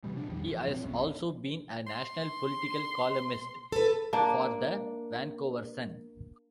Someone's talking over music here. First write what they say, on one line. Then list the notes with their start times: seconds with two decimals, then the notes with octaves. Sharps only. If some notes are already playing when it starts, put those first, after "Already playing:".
He has also been a national political columnist for the "Vancouver Sun".
0.04 C3 E3 G3 G#3
0.16 B2 F3 D4
0.29 A#1 E2 D#3 G3
0.45 G#1 E3 F3
0.68 B2 G#3 C4
0.83 B1 F#2 B3 C#4
1.87 C6
3.72 A4 B4
4.13 A#3 D4